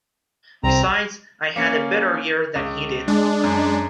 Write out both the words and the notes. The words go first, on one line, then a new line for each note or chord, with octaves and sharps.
Besides, I had a better year than he did.
C2 C4 A#5
A#3 C#4 C#7
C#2
G#3 D4
F#2